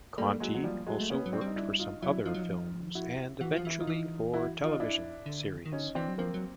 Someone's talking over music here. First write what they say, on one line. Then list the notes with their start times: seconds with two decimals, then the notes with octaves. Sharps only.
Conti also worked for some other films and, eventually, for television series.
0.18 G3 A3 A#3
0.40 F#3 G#3
0.54 F#3
0.64 F3 G3
0.87 F#3 G#3
1.00 A3
1.10 A#3 B3 C#4
1.26 F#3
1.33 C4 D4
1.41 G3 D#4
1.56 D4 E4
1.79 D#4 F4
2.02 F#3 D4 E4
2.25 F3 D#4 F4
2.34 F#3
2.43 F3
2.95 E4 F#4
3.41 E3 F#4
3.55 F3 F4
3.65 E3 E4
3.80 D#4 F4
3.87 E3
4.34 E4 F#4
4.64 D#4 F4
4.80 D4 E4
5.26 D3
5.65 D#3
5.72 D3 C#4 D#4
5.95 E3 C4 D4
6.08 F#3
6.18 F3 A#3 C4
6.34 F#3